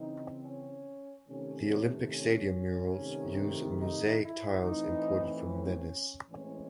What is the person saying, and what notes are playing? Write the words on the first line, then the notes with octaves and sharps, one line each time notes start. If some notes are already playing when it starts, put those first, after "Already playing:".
The Olympic Stadium murals use mosaic tiles imported from Venice.
Already playing: C#3 E3 C4 D#4
C#4
C3 D#3 A3 C#4
C#4
C3 D#3 A3
D#4
E4
A2 E3 C4 D#4
C#4
A2 E3 G#3 C4 C#4